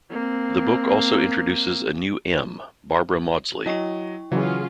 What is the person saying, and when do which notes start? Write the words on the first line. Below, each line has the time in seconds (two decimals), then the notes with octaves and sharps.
The book also introduces a new M, Barbara Mawdsley.
0.11 A#3 C4
3.66 F#3 E4 D#5 G5 C#6
4.32 C#3 E3 F#3 C#4 F4 G#4